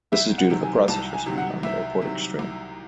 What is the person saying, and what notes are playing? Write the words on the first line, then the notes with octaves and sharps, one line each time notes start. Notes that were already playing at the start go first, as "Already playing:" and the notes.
This is due to the processor speed on the AirPort Extreme.
C2 E5
F#5
C3 D#3 F#3
G#5
C2 A5
G#5
C3 D#3 F#3
F#5
C2 E5
C3 D#3 F#3
C2